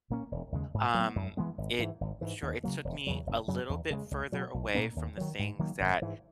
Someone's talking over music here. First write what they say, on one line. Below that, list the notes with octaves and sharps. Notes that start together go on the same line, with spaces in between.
um, it sure it took me a little bit further away from the things that,
A#2 A#3 C#4
E1
D#2 C#3 G#3
G#2
F#3
B3
F#2
E3 G#3 B3
G#1
G#2 E3
G#1
G#2 E3
D#2
C#3 F#3 A#3
E1
E2 C#3 F#3
F#1
F#2 C#3 F#3
E2
C#3 G#3
C#2
B2 F#3
B1
A#2 A#3 C#4
D#2
D#3 F#3
G#2
D#3 F#3 A#3
G#1
G#2 E3